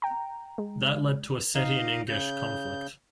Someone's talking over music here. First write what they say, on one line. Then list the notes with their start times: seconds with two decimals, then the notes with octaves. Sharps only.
That led to Ossetian-Ingush conflict.
0.02 G5 A#5
0.58 G#3
1.55 D#4 D#5 F5 A#5
2.08 C#3 G6